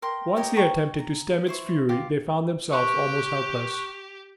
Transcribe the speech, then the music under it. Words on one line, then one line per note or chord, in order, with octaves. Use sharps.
Once they attempted to stem its fury they found themselves almost helpless.
A#4 G5 C6
G4 A#4 C#5 D#5
D#4 G5 A#5 C#6
A#5
E4 C5 C#6
F4 G4
G4 C#6 F#6